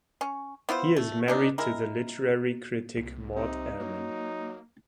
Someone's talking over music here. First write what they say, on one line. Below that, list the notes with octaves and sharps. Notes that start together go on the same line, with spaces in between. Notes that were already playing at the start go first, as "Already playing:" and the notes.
He is married to the literary critic Maud Ellmann.
C#4
B3 E4 F4 C5
A3
B2 D4 D#4
G#3 E4 A#4
C2
C3 D#4
F#3 A#3